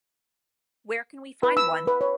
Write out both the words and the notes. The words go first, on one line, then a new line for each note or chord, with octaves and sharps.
Where can we find one?
B4
E6
B4
C#5